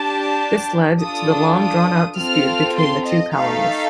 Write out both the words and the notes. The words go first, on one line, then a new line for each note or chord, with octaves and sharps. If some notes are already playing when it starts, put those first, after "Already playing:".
This led to the long-drawn-out dispute between the two colonies.
Already playing: D4 G4 A5
D4 F4 A4 D#6
D#6
C4 F4 A4 F6
C6
D#5
A3 D#4 A4 F5